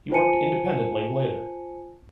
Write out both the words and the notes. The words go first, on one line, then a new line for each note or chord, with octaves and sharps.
He worked independently later.
F4 C5 G#5 A5 C#7 D#7